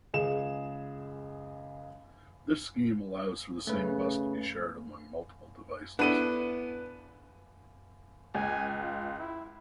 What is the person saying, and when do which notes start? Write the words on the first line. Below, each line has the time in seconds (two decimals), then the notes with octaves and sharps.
This scheme allows for the same bus to be shared among multiple devices.
0.14 C#2 G#3 G#4 E7
3.67 C#3 A3 B4
5.99 B3 D4 E4 A4 B4 D#7
8.35 C#2 G#5
8.81 F4
9.19 E4